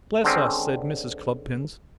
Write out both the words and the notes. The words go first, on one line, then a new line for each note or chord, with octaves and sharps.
'Bless us!' said Mrs. Cluppins.
D3 D#3 G#3 C4 C#4